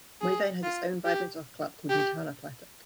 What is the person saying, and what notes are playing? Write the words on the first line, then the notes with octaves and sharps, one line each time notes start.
Moyvane has its own vibrant soccer club called Newtown Athletic.
G#4
F4
G4
G4